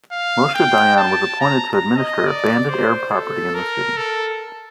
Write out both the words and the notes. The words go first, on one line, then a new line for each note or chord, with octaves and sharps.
Moshe Dayan was appointed to administer abandoned Arab property in the city.
F5
G5
A5
A#5
A#5
D#5
D5
C5
A4
A#4
A4